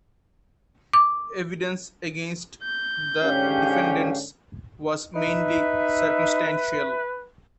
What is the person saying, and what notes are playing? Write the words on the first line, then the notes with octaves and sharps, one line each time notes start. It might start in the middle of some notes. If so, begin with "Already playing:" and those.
Evidence against the defendants was mainly circumstantial.
D6
G6
G#2 D3 C#4 G4 F5
D#4 B4 E5